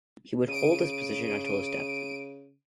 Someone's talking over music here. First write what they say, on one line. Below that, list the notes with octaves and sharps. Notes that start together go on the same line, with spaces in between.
He would hold this position until his death.
C#3 D7 D#7